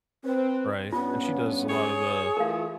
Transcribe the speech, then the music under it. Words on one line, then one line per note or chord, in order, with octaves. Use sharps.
Right. And she does a lot of the
C4 B4
G2 B3 C#4 F4
G#4 C#5
E3 A3 F4 A#4 F5